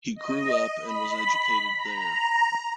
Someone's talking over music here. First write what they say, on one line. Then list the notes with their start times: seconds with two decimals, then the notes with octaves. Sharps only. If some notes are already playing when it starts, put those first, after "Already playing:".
He grew up and was educated there.
0.15 D#5
0.80 B5
1.74 A#5